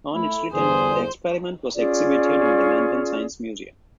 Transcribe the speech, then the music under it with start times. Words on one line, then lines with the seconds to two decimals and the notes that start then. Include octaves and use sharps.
On its return, the experiment was exhibited in the London Science Museum.
0.14 A3 E4
0.53 E2 G2 D3 G#4 C5
1.75 C#4 F4 G#4 D5